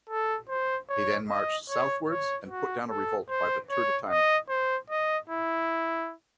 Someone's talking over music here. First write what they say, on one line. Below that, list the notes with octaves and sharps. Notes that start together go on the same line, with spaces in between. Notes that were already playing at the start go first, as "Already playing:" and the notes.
He then marched southwards and put down a revolt by the Turdetani.
A4
C5
C#5
D#5
C#5
C#5
F#4
A4
C5
C#5
D#5
C5
D#5
E4